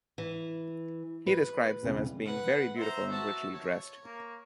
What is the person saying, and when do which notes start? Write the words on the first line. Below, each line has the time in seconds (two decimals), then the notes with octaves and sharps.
He describes them as being very beautiful and richly dressed.
0.18 E3
1.26 B4
1.83 E1 C2 C#3
2.25 B4 F#5
2.77 C5 E5 A#5
3.10 F#4 A5
3.53 C#5
4.05 A#3